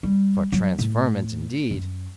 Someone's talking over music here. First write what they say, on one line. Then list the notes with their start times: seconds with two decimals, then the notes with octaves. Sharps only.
For transferment, indeed!
0.03 G3
0.52 F#3
0.79 A2
1.71 F#2